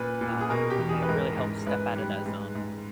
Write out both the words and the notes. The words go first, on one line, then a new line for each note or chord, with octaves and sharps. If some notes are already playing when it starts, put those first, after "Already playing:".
Uh, and it really helps step out of that zone.
Already playing: A#2 B4
A#2
G#4
B2 A#4
G4
E2
G#4
B4
G#2 A#4
G#2
G#2 B4
G3
G#2
G#2